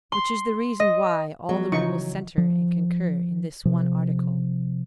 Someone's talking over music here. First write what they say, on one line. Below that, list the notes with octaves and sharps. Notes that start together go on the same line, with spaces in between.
Which is the reason why all the rules centre and concur in this one article.
C6
D#5
F3 F#3 G#3 B3 F#4
C#3 E3 D#4 C#6
F3
C3 F3